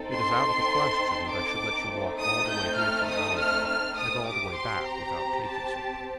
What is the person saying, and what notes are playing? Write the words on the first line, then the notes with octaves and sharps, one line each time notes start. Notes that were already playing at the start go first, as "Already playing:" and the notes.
"It is out of the question that I should let you walk all the way here from Allington and all the way back without taking something."
Already playing: C4 D#4 A4
C6
D6
A3 C4 D#4 A4
D#6
G6
F6
D#6
F6
F6
D#6
C4 G4 D6
C6
A#5
A5